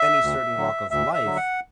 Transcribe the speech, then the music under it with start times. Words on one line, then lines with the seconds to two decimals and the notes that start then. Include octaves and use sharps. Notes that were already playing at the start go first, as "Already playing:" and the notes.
any certain walk of life
Already playing: E5
0.23 D2
0.57 D3 F#3
0.91 D2 E5
1.14 E5
1.25 D3 F#3
1.36 F#5